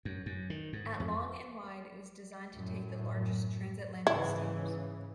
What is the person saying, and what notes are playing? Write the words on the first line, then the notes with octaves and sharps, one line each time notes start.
At long and wide it was designed to take the largest trans-Atlantic steamers.
F#2
F#2
D#3
G#2
F2
F#2 A2
G#2 C#3 E3 E4